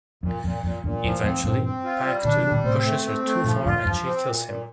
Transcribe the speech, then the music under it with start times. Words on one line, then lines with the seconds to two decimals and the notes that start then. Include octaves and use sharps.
Eventually, Pak-to pushes her too far and she kills him.
0.23 F2 A#2
0.43 F2 A#2
0.63 F2 A#2
0.83 E2 G2 A#2
1.04 F2 A2 F3
1.23 F2 A2 C4
1.44 G2 A#2 C4
1.64 C4
1.85 F4
2.05 G3
2.24 A#2 D3 D4
2.37 C3 E3
2.45 G3
2.51 A#2 D3
2.64 A2 C3 C4
2.85 A3
3.05 C4
3.25 A3
3.44 G2 A#2 F3
3.66 F2 A2 F4
3.85 E2 G2 F3
4.05 C4
4.26 A#2
4.46 A#2